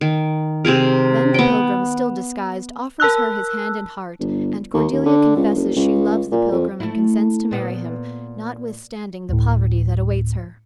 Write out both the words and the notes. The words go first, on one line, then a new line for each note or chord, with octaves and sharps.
Then the pilgrim, still disguised, offers her his hand and heart and Cordelia confesses she loves the pilgrim and consents to marry him, notwithstanding the poverty that awaits her.
D#3
C3 C4 G#4 A#4
B3 G5
A#4 A5 E6 F#6
G1
D#2
D#2
D3
C#2
F#1
C#2
A#2
F2
A3 E4
A#2 B3
D2 A2